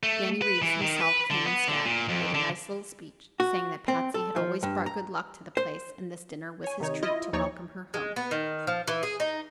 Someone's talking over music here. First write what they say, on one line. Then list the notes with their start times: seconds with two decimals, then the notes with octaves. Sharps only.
Danny Reeves himself came instead, and made a nice little speech, saying that Patsy had always brought good luck to the place, and this dinner was his treat to welcome her home.
0.03 A3
0.42 B4
0.62 E3
0.81 D#3
1.01 B4
1.30 D3
1.46 B3
1.68 D3
1.85 A#2
2.09 F2
2.34 D3
3.40 F#4
3.88 C4
4.14 A4
4.36 F3
4.63 G2
4.86 A#5
5.57 C5
6.64 C#5 G#5
6.80 C3 D#3 D#4 C#5
7.03 E4 F4 D#5
7.33 D#2 F3 D#4 C#5 D5 C#6
7.94 G#3
8.16 B3
8.31 D#3
8.67 F3
8.88 E3
9.03 G#4
9.20 D#4